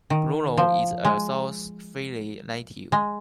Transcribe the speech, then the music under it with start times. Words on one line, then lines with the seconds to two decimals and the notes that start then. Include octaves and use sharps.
Bruno is a "South Philly" native.
0.10 D#3
0.57 F3
1.05 G#3
2.92 G#3